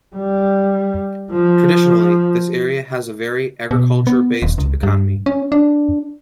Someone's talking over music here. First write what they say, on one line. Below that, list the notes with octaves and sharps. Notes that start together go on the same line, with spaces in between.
Traditionally, this area has a very agriculture-based economy.
G3
F3
B2
B3
D#1
C#2
G2
C#4
D4